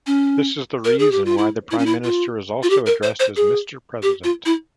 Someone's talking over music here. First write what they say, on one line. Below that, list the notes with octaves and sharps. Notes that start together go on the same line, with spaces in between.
This is the reason why the prime minister is also addressed as "Mister President".
C#4
A#4
G#4
G4
F4
E4
E4
C#4
E4
F4
F4
G4
A#4
C5
C5
G#4
G4
F4
E4